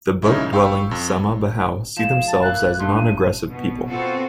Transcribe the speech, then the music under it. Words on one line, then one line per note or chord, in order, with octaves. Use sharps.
The boat-dwelling Sama-Bajau see themselves as non-aggressive people.
F#2 C#3 C#4 D#4 E4
F5 G5 B5 C#6 E6
F2
F3 G#3 E7
A5
A#3 E4 F#6
G2 A3 D#4 C6
D#7
B2
B3 C4 F4 F#4 A4